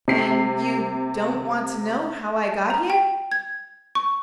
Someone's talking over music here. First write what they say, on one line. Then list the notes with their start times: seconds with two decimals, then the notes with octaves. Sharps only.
"And you don't want to know how I got here?"
0.08 C3 C7
2.70 A#5
2.90 G5
3.32 G#6
3.95 C#6